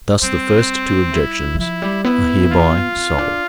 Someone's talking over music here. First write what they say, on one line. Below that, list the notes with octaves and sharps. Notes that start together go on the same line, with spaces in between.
Thus the first two objections are hereby solved.
G3 C4
E4
E3
F3 E4
G3
B3 E4
F4
C4
D4